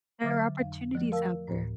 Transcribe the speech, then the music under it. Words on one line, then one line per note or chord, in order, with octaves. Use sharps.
There are opportunities out there.
D3 F#3 E5 D6 F6 A6
F2 F5
F3 A3
A#4 F5 A5 E6
D2 A2